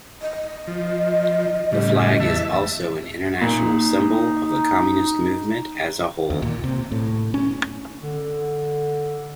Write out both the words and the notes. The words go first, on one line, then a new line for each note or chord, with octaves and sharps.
The flag is also an international symbol of the communist movement as a whole.
D#5
F3
A2 C#3 G3
E2 E5 A5
A#2 D#4
D#2
A#2
C3
A2
C#4
D3